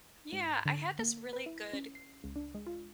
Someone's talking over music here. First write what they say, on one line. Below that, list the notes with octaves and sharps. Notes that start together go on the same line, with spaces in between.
Yeah, I had this really good
G#2
D3
A#3
B4
E4
C#4
C7
C#2
D4
G#3
F4